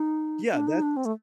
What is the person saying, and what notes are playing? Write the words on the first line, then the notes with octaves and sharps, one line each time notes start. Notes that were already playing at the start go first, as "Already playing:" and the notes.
Yeah, that's
Already playing: D#4
D4
D#4
D4
C4
A3